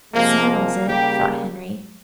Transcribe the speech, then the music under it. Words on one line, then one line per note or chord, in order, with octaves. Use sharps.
"That settles it," thought Henry.
C3 F3 G#3 A#3
A#3
C#3 G3 A#3 G4